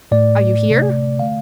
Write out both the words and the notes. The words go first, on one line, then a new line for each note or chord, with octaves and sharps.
"Are you here?"
A2 A3 D5
C3 A3
D3 A3 F5